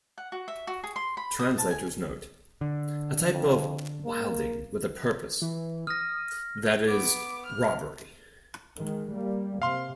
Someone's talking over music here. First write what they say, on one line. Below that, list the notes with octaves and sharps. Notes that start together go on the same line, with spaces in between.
Translator's note: a type of "wilding" with a purpose, that is, robbery.
F#5
F#4
E5
F#4
G#4
C6
B5
D#6
A5
G#5
D3
F2
A#3
E3
D#6 F6 A#6
B3 D6
F6
D#3 G#3
G3 A#3
C3 F5 C6